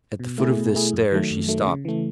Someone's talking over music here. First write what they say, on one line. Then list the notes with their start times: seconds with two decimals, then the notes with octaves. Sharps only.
At the foot of this stair she stopped.
0.19 B2
0.38 A3 E4 G#4
0.56 B2
0.74 A3 E4 G#4
0.93 F#2
1.12 D#3 F#3 A3
1.30 F#2
1.48 D#3 F#3 A3
1.67 C#3
1.85 E3 A3